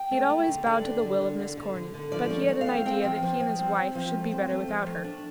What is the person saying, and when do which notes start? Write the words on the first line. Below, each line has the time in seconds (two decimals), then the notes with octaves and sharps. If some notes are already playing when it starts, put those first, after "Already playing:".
He had always bowed to the will of Miss Corny, but he had an idea that he and his wife should be better without her.
Already playing: G5
0.11 A3
0.30 A3
0.48 D3
0.66 D3 D5
0.85 D4
1.02 D3
1.21 D3
1.39 D3
1.57 D3
1.76 D3
1.94 D3
2.12 F3 D5
2.30 A3
2.49 A3
2.61 F5
2.67 C4
2.86 C4 G5
3.04 F3
3.22 F3
3.40 F3
3.59 C4
3.77 C4
3.95 F3
4.13 A3
4.32 C4
4.49 A3
4.68 F3
4.87 A3
5.04 D4